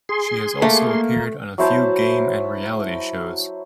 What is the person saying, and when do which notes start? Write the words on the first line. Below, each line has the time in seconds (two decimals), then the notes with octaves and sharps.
She has also appeared on a few game and reality shows.
0.09 G#4 C6
0.62 A3 A#3
1.58 F#3 E4 C5 A5